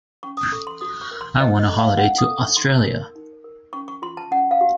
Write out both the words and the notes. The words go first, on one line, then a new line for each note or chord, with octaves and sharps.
I won a holiday to Australia.
C#4 C#6
D#6
A4 C#6
C6
F#4 D#6
C#6
A#4
C6
F4 D#5
D#5
A4
F5
C#4 F#5
D#6
A4
C#6
D#4 C6
A#4
D#4
A#4
C#4 C#6
C#6
F4 C6
A5
C#4 F#5
F5
F#4